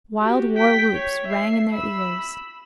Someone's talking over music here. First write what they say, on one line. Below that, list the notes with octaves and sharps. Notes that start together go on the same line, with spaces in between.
Wild war-whoops rang in their ears.
F#4 G4
G5 B6
C#5
E5 C7
B5 E6